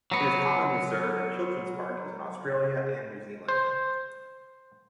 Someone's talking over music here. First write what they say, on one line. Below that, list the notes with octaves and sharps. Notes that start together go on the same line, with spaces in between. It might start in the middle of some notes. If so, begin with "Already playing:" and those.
It is commonly served at children's parties in Australia and New Zealand.
F#3 B3
C5